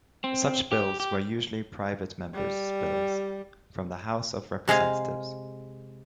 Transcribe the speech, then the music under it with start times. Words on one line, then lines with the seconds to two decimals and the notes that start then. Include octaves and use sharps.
Such bills were usually private member's bills from the House of Representatives.
0.24 C4
0.72 G4
1.00 G4
2.34 G3
4.68 C3 G#3 G#4 F5